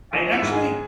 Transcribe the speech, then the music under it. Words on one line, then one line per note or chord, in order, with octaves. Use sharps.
I actually
A#1
E4 E5
G#2 D#3 G#3
G#4